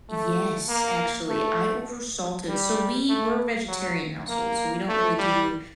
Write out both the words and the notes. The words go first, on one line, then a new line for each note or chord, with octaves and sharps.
Yes, actually, I over salted. So we were vegetarian household, so we don't really do
A3
A#3
A3
G3
A3
F#3
A#3
A3
G3